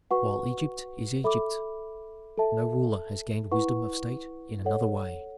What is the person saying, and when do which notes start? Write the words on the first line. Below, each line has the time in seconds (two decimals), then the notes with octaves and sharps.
"While Egypt is Egypt, no ruler has gained wisdom of state in another way."
0.11 F#4 B4 F#5 C#6
1.24 A4 E5 B5 D6
2.38 A4 E5 A5
3.51 E4 B4 F#5 C#6
4.65 A4 C#5 F#5